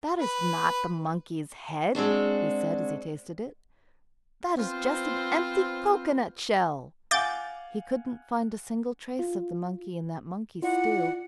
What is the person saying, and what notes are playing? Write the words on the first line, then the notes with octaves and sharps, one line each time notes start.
"That is not the monkey's head," he said as he tasted it, "That is just an empty cocoanut shell." He couldn't find a single trace of the monkey in that monkey stew.
B4
G#3 C4 D4 F#4
B3 C4 F4 C5
F5 F#5 G#5 D6 G6 A6
F4
E4 F4 D5 F#5